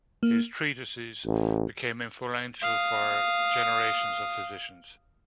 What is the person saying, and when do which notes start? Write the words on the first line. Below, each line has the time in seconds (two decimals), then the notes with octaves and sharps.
His treatises became influential for generations of physicians.
0.23 A#3
1.25 A1
2.62 F5 D#6